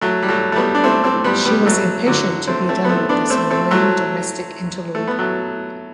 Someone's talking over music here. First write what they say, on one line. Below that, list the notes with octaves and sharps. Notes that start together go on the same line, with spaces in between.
She was impatient to be done with this annoying domestic interlude.
F#3 A3
G3
F#3 A3
A3
G3 B3
D4
A3 C4
A3 C4
G3 B3
G3 B3
F#3 A3
D3 F#3
A3 C4
A3 C4
B3
A3 C4
B3 D4
A3 C4
A3 C4
F#3 A3
A3
B3
F#3 A3